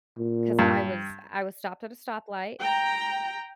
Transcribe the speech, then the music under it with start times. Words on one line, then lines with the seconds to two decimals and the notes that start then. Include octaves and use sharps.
'cause I was I was stopped at a stoplight,
0.18 A#2
0.59 G2
2.60 G5 A#5